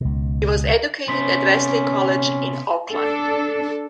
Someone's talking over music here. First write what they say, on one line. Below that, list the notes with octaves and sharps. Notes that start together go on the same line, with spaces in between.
He was educated at Wesley College in Auckland.
C#2 B2
C3 B3 C#4 D#4 C6 B6
D4 A4